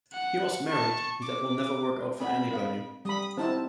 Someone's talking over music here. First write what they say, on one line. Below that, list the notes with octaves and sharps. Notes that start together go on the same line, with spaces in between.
He was married, and that will never work out for anybody.
F#5
A5 C#6
D6
C4 F#5 B5
A#4 F5
G3 B5 D#6
C4 D#4 E4 A5